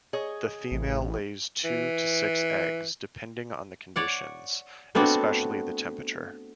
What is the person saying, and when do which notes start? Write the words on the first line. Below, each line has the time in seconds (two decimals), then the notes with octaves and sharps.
The female lays two to six eggs, depending on the conditions, especially the temperature.
0.13 G#4 C#5 D#5
0.72 A1
1.65 E3
3.96 C#5 D5 F#5
4.95 A3 B3 C4 D4 F#4